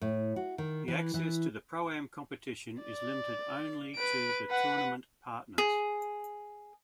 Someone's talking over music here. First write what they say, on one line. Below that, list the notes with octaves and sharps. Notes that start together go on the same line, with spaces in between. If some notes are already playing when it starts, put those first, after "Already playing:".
The access to the pro-am competition is limited only to the tournament partners.
A2
F#4
D#3
E3
E3
D5
B4 D7
B4 F#5
G#4